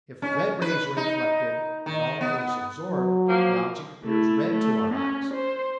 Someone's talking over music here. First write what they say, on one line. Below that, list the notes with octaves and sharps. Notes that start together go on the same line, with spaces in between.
If the red rays are reflected and all others absorbed, the object appears red to our eyes.
C#4
B4
D#4
D#3
B3
F#3
F3 A#3
A3 E4
A3
C#4
C5